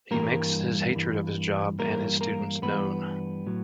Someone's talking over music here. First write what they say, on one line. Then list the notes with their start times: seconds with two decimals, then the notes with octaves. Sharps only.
He makes his hatred of his job and his students known.
0.11 G2 E3 G3 A#3 A#4
0.95 G2 E3 G3
1.79 G2 E3 G3 A#3 A#4
2.21 A#3 A#4
2.62 G2 E3 G3 B3 B4
3.47 A2 F#3